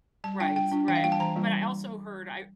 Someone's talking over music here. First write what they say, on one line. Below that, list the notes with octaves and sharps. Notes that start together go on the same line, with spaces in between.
Right right. But I also heard I
G3 A5
D4 F4 G5
G3 G5
D4 F4
E3 G5
F5
G3 A#3 F4 G5
A5
E3 A#5
G3 A#3 F4